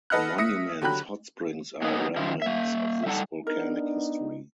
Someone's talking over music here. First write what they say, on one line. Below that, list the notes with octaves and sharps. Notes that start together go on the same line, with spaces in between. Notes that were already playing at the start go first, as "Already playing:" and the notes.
The Monument's hot springs are remnants of this volcanic history.
A4 B4 D#5 F#5 F6 F#6
E5 D#6 A#6 C#7
D3 F#3 G4 B5 F#6
F#3 A#3 B3 C#4 D#4
D#3 F3 E4 F4
A#3 E5
G3 D#4 A4 F5 F#5 A5
B3 D4 D#4 A#4